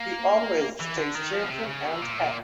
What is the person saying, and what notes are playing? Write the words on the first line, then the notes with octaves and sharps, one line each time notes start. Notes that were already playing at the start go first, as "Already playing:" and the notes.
He always stays cheerful and happy.
Already playing: A#3
E3
D3
D#3
F3
B2
C3
C#3
B2
A2
A#2
A2
A#2